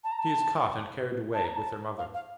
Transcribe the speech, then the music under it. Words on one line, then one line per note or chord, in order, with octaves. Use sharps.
"She is caught and carried away--with her mother."
A5
A#5
A5
A5
A#5
A5
F5
F5